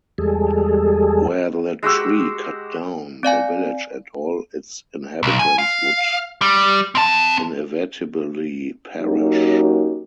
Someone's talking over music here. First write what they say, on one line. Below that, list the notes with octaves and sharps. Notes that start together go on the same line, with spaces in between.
Were the tree cut down, the village and all its inhabitants would inevitably perish.
E2 G3 G#3 G#4 A4
G#3 F#4 G4 E6
C4 D5 F5 G#5
B1
G#5
F5
G3
C4 A5
F#3 A#3 C#4 D#4 F#4 G4